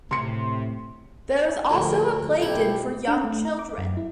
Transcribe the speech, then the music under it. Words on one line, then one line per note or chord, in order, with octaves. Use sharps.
There is also a playden for young children.
A2 C3 C6 C#7
D2 A#2 F3
B1 F3 E4 G4
D4
A3
A#5
D6
F#2
E4